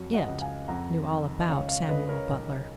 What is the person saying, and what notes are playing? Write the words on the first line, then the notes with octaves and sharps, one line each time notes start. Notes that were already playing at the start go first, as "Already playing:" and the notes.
It knew all about Samuel Butler.
Already playing: F2 F#3
D#5 F#5
C#2
F5 G#5
F2 F#5 A#5
D#3
D#5
C#2 C#5 F5
C#5 F5
C#2 B4 D#5
A#4 C#5
B1